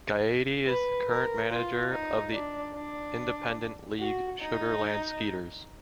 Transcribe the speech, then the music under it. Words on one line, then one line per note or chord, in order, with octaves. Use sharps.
Gaetti is the current manager of the independent league Sugar Land Skeeters.
B4
A#4
F4
D#4
D4
D4
F#4
D#4